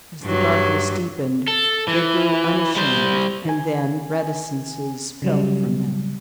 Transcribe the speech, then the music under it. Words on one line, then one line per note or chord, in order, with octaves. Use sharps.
As the darkness deepened, they grew unashamed and then reticences fell from them.
G2 F#3
A4
E3
G3 C5
D#3 G#5
C#3 F#3 G3